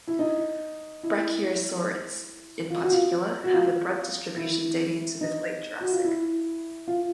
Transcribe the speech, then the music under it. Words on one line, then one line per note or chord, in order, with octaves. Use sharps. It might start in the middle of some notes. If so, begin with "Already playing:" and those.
Brachiosaurids in particular have a broad distribution dating to the Late Jurassic.
E4
D#4
E4
F4
F#4
F4
F#4
F4
E4
D#4
F#4
F4
E4
F4